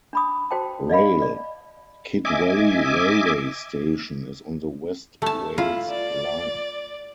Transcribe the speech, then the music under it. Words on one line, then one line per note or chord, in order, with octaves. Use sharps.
Rail - Kidwelly railway station is on the West Wales Line.
D4 B5 D#6
F#4 C5 G5 A5
D5 D#5 F5 B5
D5
D#5 E5 G#5 D6
A3 A5
E4 F4
D5